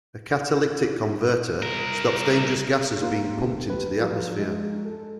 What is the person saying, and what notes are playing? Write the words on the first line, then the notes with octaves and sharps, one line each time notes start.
A catalytic converter stops dangerous gases being pumped into the atmosphere.
C2 A#4
A#3 F4 G4
D2
B4
F3 F#3
G#3
A4